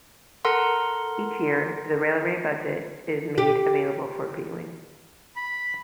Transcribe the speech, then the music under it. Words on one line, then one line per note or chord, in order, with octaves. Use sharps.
Each year, the railway budget is made available for viewing.
A4 A#4 F#5 A#5 C6
G4
B5